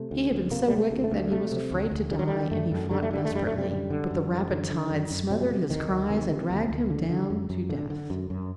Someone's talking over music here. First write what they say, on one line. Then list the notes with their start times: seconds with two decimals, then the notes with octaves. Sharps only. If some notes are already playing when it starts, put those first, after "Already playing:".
He had been so wicked that he was afraid to die and he fought desperately, but the rapid tide smothered his cries and dragged him down--to death.
Already playing: C3 A3
0.11 D2
0.31 D2
0.51 C3 A#3
0.68 C3 G3
0.78 A3
0.91 D2
1.04 A3
1.11 D2
1.31 C3 A3
1.51 C3
1.71 D2
1.91 D2
2.11 D3 G3
2.19 F#3
2.27 D3 G3
2.51 F#2 A3
2.71 F#2
2.90 D3 G3
3.02 A3
3.11 D3 G3
3.25 A3
3.31 F#2 G3
3.47 F#2 A3
3.58 G3
3.71 D3 G3
3.90 D3
4.11 F#2
4.31 F#2
4.50 D3
4.70 D3
4.90 F#2
5.11 F#2
5.30 C3 F#3
5.50 C3
5.70 D2 D#3
5.90 D2
6.10 C3 D#3
6.30 C3
6.50 D2
6.70 D2
6.90 D3
7.10 D3
7.30 F#2
7.50 F#2
7.70 D3
7.90 D3
8.10 F#2
8.30 F#2